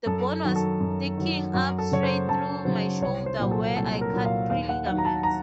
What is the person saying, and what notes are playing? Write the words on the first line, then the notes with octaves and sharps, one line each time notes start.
The bone was sticking up straight through my shoulder where I cut three ligaments.
F#2 A4
D#3 F#3 F#4
A4
F#2
D#3 F#3
F#2 F#4
A4
C#3 F#3 C#5
C5
F#2 A5
C#3 F#3 C5
C2 C#5
C5
A#2 F#3
A4
C2 A4
A#4
A#2 F#3
F5
D#2 F5
F#5
D#3 F#3 F#5
A#5
A5
A#5